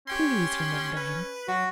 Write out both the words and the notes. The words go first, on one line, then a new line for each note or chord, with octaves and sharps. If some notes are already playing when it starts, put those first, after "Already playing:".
Please remember him.
C#4 G4 G5 C6
B4
F#3 F#4